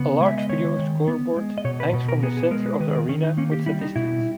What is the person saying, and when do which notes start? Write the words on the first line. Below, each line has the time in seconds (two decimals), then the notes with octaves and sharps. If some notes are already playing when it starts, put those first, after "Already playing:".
A large video scoreboard hangs from the center of the arena with statistics.
Already playing: C#3 B3
0.21 G#3
0.27 E5
0.38 D#5
0.49 D#3 C#5
0.79 D#3
1.08 B3
1.36 G#3
1.58 D#5
1.64 B2 C#5
1.80 B4
1.93 B2
2.09 A#4
2.23 B3 G#4
2.37 G#4
2.51 G#3 A#4
2.66 B4
2.80 D#3 B4
2.90 G#4
2.95 A#4
3.09 D#3 C#4
3.24 D#4
3.37 A#3 C#4
3.52 G4
3.66 G3 E4
3.81 D#4
3.96 B2 E4